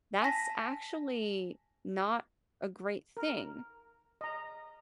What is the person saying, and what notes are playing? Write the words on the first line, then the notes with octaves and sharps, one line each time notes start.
that's actually not a great thing.
G#5 A5 A#6 B6
A#4
D#5 A#5